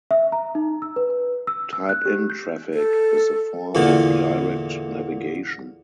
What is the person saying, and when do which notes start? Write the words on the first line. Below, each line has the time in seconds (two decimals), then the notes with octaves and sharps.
Type-in traffic is a form of direct navigation.
0.11 E5
0.32 A#5
0.55 D#4
0.82 E6
0.96 B4
1.47 E6
1.73 E6
1.89 F#6
2.05 G4
2.30 G6
2.73 A4
3.75 E2 A#2 D3